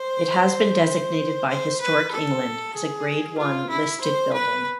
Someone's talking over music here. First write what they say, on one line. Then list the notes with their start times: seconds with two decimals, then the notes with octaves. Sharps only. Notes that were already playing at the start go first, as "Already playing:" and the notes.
It has been designated by Historic England as a grade one listed building.
Already playing: C5
1.49 C5
1.81 B4
2.11 A4
2.75 G#4
3.38 F4
3.69 E4
4.01 C5
4.33 B4